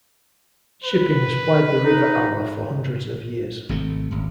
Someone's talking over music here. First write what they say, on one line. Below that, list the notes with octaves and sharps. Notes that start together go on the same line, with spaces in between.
Shipping has plied the river Aller for hundreds of years.
B4
D#4
G#1 C3 A3
D#1 G#1